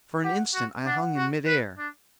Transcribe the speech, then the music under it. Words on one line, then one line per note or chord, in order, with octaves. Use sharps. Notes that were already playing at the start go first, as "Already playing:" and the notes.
For an instant I hung in mid air.
G4 F#5
F#4
D4 F#5
F#4
B4
D4